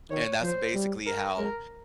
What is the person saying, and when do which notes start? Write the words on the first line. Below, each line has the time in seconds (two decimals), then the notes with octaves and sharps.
And that's basically how
0.10 D#3 C#5
0.42 F3 C5
0.74 G3
1.06 A#4
1.38 G#3 A#4